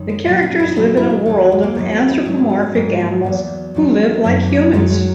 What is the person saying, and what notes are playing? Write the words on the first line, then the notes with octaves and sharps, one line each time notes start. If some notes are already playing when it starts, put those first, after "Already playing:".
The characters live in a world of anthropomorphic animals who live like humans.
Already playing: F#2 D#3
G#3
A#2 F#3
B3
C#4
E4
D#4
A#2 F#3 E4
E4
D#4
D#2 D#3 F#3
G#3
A#3
D#2 D#3 F#3 B3
B3
E4
G#2 F#3 E4
A#3
B3
C#4
G#2 F#3 B3
A#3
E2 D#3 F#3 A#3
E2 D#3 F#3
F#2 D#3 F#3 A#3
A#3
F#2 D#3 F#3 G#3
G#3